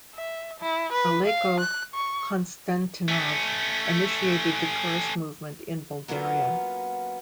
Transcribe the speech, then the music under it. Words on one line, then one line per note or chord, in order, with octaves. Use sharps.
Aleko Konstantinov initiated the tourist movement in Bulgaria.
E5
E4
B4
F5
F#6
C#6
A3 C#4
F#3 A#3 B3 C#4 F4